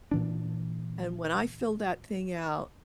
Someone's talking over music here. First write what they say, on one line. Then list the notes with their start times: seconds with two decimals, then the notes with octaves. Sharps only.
and when I filled that thing out
0.11 A#2 E3 D4